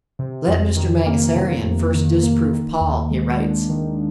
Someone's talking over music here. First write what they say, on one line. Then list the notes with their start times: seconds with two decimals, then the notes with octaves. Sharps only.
"Let Mr. Mangasarian first disprove Paul," he writes.
0.19 C3
0.48 F2
0.76 D#3
1.06 A#3
1.36 C3
1.65 F2
1.94 D#3
2.23 A#3
2.53 D#3
2.81 D#2
3.11 G#3
3.40 D4
3.69 D#3